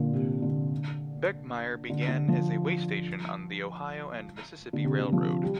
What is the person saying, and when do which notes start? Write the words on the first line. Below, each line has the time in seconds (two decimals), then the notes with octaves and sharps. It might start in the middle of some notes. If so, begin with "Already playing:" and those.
Beckemeyer began as a way station on the Ohio and Mississippi Railroad.
Already playing: A#2 D3
0.13 C3
0.42 D3
1.90 D3
2.08 D3
2.28 F3
4.73 D3
4.84 C3
4.99 D3
5.13 F3
5.43 G3